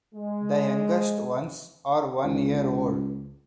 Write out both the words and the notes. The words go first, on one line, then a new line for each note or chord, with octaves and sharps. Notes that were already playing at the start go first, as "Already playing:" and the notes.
The youngest ones are one year old.
G#3
C#2